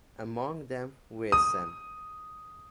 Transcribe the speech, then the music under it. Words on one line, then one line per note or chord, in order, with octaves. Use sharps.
Among them were Sen.
D#6